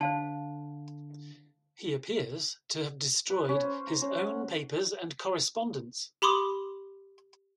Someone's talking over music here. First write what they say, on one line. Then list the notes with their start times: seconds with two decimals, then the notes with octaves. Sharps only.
He appears to have destroyed his own papers and correspondence.
0.01 D3 C5 F5 A5
3.30 B4
3.49 C#4
3.64 C5
3.87 A#5
4.02 C#4
4.18 F#5
6.22 G4 B5 C6 D6 D#6